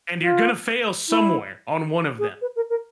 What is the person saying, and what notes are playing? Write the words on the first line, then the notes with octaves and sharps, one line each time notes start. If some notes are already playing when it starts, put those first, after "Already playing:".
And you're gonna fail somewhere on one of them.
F4
E4
G#4
B4
A#4
A#4